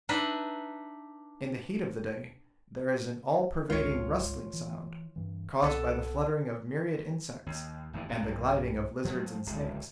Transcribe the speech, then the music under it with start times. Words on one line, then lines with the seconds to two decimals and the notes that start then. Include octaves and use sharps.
In the heat of the day there is an all-pervading rustling sound, caused by the fluttering of myriad insects and the gliding of lizards and snakes.
0.09 D4 D#4 B4 E5
3.70 G#1 C#2 G#3 F4 C#5
4.53 E3
5.16 G2 E3
5.62 C2 B3 A4
7.46 D#2
7.93 A1 D#2 A2 E3
8.09 F#1 C3
8.23 B1 G2
9.05 F3 F#3 A3
9.46 D1 C#2